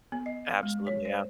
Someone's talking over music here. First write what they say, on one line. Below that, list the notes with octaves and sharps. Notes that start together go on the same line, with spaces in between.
Absolutely, yeah.
B3
D#5
F5
G#3
C#5
C5